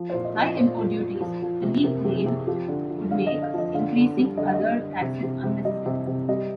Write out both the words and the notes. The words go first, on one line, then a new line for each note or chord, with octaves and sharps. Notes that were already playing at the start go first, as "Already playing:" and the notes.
High import duties, the League claimed, would make increasing other taxes unnecessary.
Already playing: F3
C5
A#2
D#5
F3
D#5
A#2 C5
A#2
A#2
F3
F3
C3
C3 A#4
C3
G#4
C3
F3 G4
D3
F3
D3 F5
D#5
D3
F5
F3 D#5
D3 F5
D3
G3
D3 D#5
F5
D#5
G3
D3
C3
C3
C3
G3 D#5
C3
C3
G3 D#5